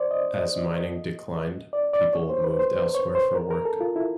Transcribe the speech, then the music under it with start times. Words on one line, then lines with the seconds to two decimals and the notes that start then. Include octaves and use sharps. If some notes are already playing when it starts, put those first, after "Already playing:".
As mining declined, people moved elsewhere for work.
Already playing: C5 D5
0.11 D#5
1.73 D5
1.93 D5
2.13 C#5
2.29 C5
2.44 B4
2.59 C5
2.95 C#5
3.15 C5
3.35 A#4
3.51 A#4
3.65 A4
3.81 F4
3.96 E4